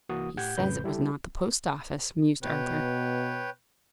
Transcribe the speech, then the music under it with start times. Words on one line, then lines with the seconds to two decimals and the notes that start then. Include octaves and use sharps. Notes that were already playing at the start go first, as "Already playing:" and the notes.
"He says it was not the post-office," mused Arthur.
0.09 C2 E3 A#3 F#4 D#6
0.37 A2 G4 F#5 G6 G#6
0.57 F2 A2 C#3 B4 G6
0.84 G3 E4 G4 A4
2.43 B2 B4 C#5 G5